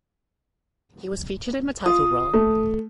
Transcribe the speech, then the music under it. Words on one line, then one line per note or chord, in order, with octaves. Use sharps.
He was featured in the title role.
F4 D#6
A3